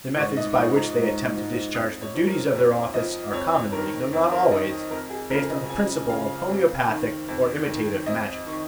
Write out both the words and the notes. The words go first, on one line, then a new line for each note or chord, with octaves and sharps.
The methods by which they attempt to discharge the duties of their office are commonly, though not always, based on the principle of homoeopathic or imitative magic.
G#2 C#6
D#5
F3 C#6
A#5
G#2
F3
F2 D#6
C#5
F3 C#5
A#4
F2 C#5
F3 D#5
F2 C#5
D#3 A#4
F2
A#4
D#3 D#5
F2 A#4
G#4
C#3 F3 A#4
D#5
F2 G#5
C#3 F3 F5
F2
D#3
F2
D#3
F2 D#5
D#3 C#6